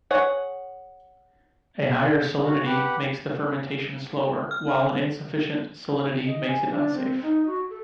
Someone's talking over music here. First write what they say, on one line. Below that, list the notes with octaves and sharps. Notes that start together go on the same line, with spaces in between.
A higher salinity makes the fermentation slower, while an insufficient salinity makes it unsafe.
G#4 C#5 F#5
F#4
G4 B4 F#5
F6
D#5
G#5
D4
C4
D#4
F#4
A4